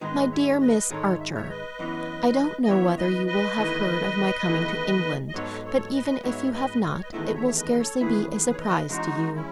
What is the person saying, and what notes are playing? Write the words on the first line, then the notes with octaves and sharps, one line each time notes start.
MY DEAR MISS ARCHER--I don't know whether you will have heard of my coming to England, but even if you have not it will scarcely be a surprise to you.
G#2 D#3 G#3 D#4 B4 D#5
C#5 E5
B4 D#5
G#2 D#3 G#3 D#4 A4 C#5
E5
C#5 E5
B4 D#5
F#2 E3 B3
D#5
F#2 E3 B3 C#5 E5
B4 D#5
B4 D#5
E2 D#3 A3 E4
E2 D#3 A3 E4
D#5
G#2 F#3 B3 D#4 A4 C#5
A4 C#5
B4 D#5
G#2 F#3 B3 D#4 C#5 E5
B4 D#5
D#5
C#5
B4 D#5
E2 D#3 A3 E4 B4 D#5
C#5 E5
B4 D#5
A4 C#5
E2 D#3 A3 E4 G#4 B4
G#4 B4
C#5
B4 D#5
C#3 E3 G#3 D#4 F#4
C#4 E4